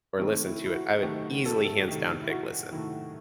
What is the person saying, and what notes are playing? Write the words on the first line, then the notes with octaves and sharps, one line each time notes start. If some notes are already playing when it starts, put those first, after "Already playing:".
or listen to it, I would easily hands down pick listen.
D#3 A3 C4
E4
E4
F#4
D#3 A3 G4
A4
G4
A4
F#4
D#3 A3 G4
E4
F#4
D#3 A3 E4